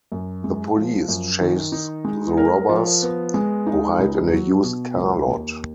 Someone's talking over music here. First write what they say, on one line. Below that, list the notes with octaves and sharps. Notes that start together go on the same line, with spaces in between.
The police chase the robbers, who hide in a used car lot.
F#2
G#3
F3
F#2
D#3
D#4
G#3
A#4
F3
B3
G#3
D#4
C#2
F#3
B2
C#2
D#2